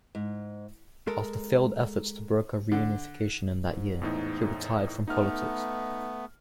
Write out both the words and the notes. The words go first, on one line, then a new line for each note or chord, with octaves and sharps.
After failed efforts to broker reunification in that year, he retired from politics.
G#2
G#3 A4 A#4
D3
G#2
E2 A2 D#4
A3 B3 D#4 F6